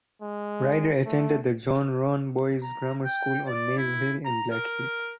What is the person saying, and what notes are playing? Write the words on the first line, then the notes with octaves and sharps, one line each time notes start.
Rider attended the John Roan Boys' Grammar School on Maze Hill in Blackheath.
G#3
A3
A#5
G5
D5
E4
A#5
A#4